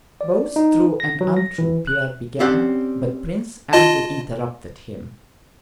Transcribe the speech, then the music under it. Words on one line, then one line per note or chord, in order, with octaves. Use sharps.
"Both true and untrue," Pierre began; but Prince Andrew interrupted him.
D5
D#4
A#6
F#3
A#6
E3
F#6
C4 C#4 G4 D5 F#5
F4 D#5 A5